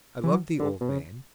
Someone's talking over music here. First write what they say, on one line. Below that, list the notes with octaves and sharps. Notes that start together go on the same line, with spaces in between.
I loved the old man.
E3
F#3
D3
B2
C#3